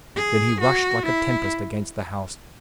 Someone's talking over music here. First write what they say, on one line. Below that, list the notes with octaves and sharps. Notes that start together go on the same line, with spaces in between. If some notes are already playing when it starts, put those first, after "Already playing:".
Then he rushed like a tempest against the house.
G#4
F#4
E4